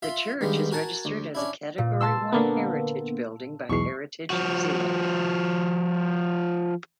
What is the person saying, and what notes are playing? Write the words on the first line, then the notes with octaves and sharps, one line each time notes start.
The church is registered as a Category One heritage building by Heritage New Zealand.
F4 E5 C6
G2 D#3 G#3 B3
F#4 A#4 G#5 A5
D2
C#4 D4 E4
A#2
A5 C6 E6
D3 A#3 B3
B1 E2 G#3 C#6 C7
F3 F#4